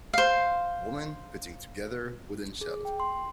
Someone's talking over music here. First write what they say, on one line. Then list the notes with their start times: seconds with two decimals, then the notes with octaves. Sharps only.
Woman putting together wooden shelf.
0.13 C5 F5
2.61 G#4
2.85 G5
3.00 C6